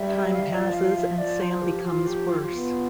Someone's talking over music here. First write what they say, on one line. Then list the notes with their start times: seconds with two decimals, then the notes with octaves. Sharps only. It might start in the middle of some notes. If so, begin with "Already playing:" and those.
Time passes and Sam becomes worse.
Already playing: G3 E5
0.32 F5
0.42 E5
0.52 F3 D5
0.74 F5
0.96 E5
1.18 F3 D5
1.40 C5
1.62 G4
1.85 F3 F4
2.07 G4
2.29 F4
2.37 G4
2.45 F4
2.51 B3